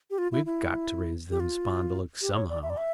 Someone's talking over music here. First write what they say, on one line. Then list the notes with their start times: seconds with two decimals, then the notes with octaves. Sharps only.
We've got to raise them spondulicks somehow.
0.10 G4
0.18 F4
0.32 E4
0.46 E4
1.31 G4
1.40 F4
2.22 G4
2.35 C#5
2.49 D5
2.62 E5
2.70 D5
2.77 E5